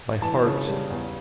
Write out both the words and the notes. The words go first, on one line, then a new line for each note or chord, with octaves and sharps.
My heart.
E3 A5
C#3
G3
E2